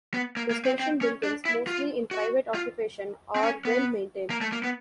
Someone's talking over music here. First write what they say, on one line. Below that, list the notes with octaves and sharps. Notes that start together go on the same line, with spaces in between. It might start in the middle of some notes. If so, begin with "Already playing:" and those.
The station buildings, mostly in private occupation, are well maintained.
B3
A#3
A#3
C4
C4
C#4
D4
E4
F4
F#4
F4
C4
C#4
B3
A#3
A3
A#3
B3